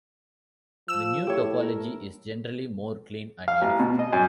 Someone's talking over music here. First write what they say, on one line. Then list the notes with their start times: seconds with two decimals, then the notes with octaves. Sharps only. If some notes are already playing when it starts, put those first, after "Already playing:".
The new topology is generally more clean and uniform.
0.88 F3 E6 E7
1.27 A2 G4 C#5
1.62 A#4
3.48 F5
3.62 A1
3.79 B2
3.99 D#5
4.13 F#2